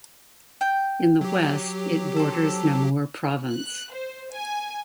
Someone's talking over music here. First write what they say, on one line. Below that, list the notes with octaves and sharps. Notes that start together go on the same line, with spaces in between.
In the west it borders Namur Province.
G5
F#3 G4
C4 A4
F#6
C5
G#5